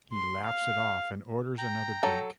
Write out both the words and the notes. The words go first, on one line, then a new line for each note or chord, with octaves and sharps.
He laughs it off and orders another drink.
C6
F5
G5 A#5
F#3 A4